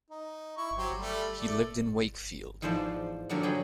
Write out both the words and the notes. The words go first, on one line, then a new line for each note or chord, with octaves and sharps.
He lived in Wakefield.
D#4
E4 C#6
F#3 G4 C5
G3 A3 D5
A3 D5
E2 G#2 F3 C5 D5
G2 D3 F3 F#3 A#3 D4
F#3 G#4 G5 B5